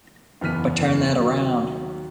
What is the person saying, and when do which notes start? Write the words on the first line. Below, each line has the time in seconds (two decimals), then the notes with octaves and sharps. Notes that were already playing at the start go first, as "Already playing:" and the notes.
But turn that around.
0.41 F#1 E2 B3 F6 B6 D#7
1.16 D#2 F#3